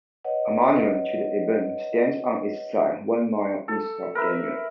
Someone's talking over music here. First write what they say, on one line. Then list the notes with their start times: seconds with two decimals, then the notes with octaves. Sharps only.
A monument to the event stands on its site one mile east of Daniel.
0.24 B4 C#5 D#5 F#5
3.68 A4
4.15 A#4 B4 E5